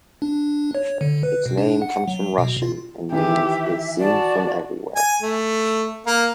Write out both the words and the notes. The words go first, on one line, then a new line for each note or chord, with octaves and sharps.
Its name comes from Russian and means "is seen from everywhere".
D4
C#5
D3
B4
B2
D4
F#5
F#3
B2
F4
D#3 E3 G4 E5
F#4 D5 A5
G#5
A3
A#3